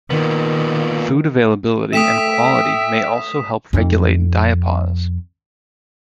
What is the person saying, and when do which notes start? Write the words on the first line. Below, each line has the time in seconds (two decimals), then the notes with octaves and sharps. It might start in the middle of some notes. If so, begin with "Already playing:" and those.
Food availability and quality may also help regulate diapause.
0.10 A#2 D#3 B3
1.93 A3 E5 G5 D#6 B6 E7
3.73 F2 D#4